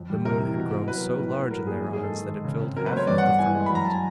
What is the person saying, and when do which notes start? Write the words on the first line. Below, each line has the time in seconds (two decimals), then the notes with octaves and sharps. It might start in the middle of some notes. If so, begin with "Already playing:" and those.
The moon had grown so large in their eyes that it filled half of the firmament.
Already playing: F2
0.10 G3
0.25 C3 A#4
0.40 E3
0.56 B2
0.72 B2
0.87 F#3 B4
1.03 B3
1.19 A2
1.35 A2
1.51 F#3 A#4
1.67 A#3 G#4
1.82 G#2 G#4
1.93 G#4
1.98 G#2
2.03 A4
2.13 D#3
2.29 G#3
2.44 C#3
2.61 C4
2.77 F#3 A#4
2.86 B4
2.93 A3 C5 C#5
3.07 G2 D5
3.18 F#5
3.23 B3
3.39 E3 G#5
3.55 G#3
3.66 B5
3.70 F#2 A#5
3.85 A5
3.94 G#5